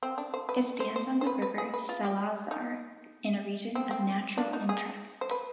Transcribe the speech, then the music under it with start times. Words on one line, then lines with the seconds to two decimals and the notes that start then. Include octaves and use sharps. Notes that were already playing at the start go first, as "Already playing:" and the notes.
It stands on the River Salazar in a region of natural interest.
0.03 C4
0.18 D4
0.34 C5
0.49 B4
0.80 C5
0.96 C5
1.21 C5
1.27 B4
1.42 B4
1.58 G#4
1.74 B4
1.89 F4
2.05 G4
2.51 D#4
3.75 C4
3.91 C4
4.38 D4
4.53 D#4
4.69 G#4
5.21 C5
5.31 B4